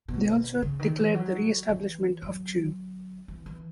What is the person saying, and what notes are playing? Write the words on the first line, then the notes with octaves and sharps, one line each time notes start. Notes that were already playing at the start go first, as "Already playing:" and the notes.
They also declared the reestablishment of Chu.
B2
C#3
D#3
E3
F#3
E3
F#3
E3
E3